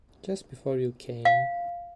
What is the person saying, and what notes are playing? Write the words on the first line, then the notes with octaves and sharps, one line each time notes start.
Just before you came.
F5